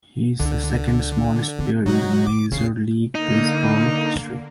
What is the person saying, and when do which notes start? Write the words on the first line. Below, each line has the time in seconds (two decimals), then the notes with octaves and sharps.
He is the second-smallest player in major league baseball history.
0.40 C#2 D3
1.59 C#3 C4
1.86 C3 F#3 D#4 F#4
2.27 D3 D6
2.52 E2 C#3 C4 C7
3.15 D3 A#3 D#4